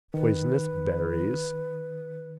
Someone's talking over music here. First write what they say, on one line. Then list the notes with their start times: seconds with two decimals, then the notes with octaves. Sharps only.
Poisonous berries.
0.14 D#3 B4